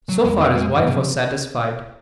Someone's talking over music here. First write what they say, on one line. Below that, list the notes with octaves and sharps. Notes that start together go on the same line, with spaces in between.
So far his wife was satisfied.
F#3
F2 G#3
C4
G#3
C#3 F3